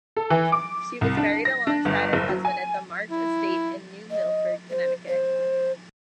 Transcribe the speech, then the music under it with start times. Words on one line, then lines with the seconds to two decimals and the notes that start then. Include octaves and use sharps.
She was buried alongside her husband at the March Estate in New Milford, Connecticut.
0.17 A4
0.30 E3
0.52 D6
1.01 C2
1.17 D4
1.45 A#6
1.67 D4
1.85 G1
2.13 F#1
2.29 F#3
2.45 G#5
3.09 E4
4.11 D#5
4.70 C5
5.08 C5